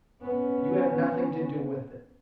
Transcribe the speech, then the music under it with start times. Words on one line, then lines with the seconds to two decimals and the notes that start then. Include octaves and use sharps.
You have nothing to do with it.
0.22 B3 C#4